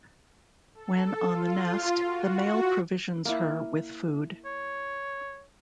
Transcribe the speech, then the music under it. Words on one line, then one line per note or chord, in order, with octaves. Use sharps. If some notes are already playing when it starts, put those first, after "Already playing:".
When on the nest, the male provisions her with food.
A4
F4
F#4
A#3 E4
C#5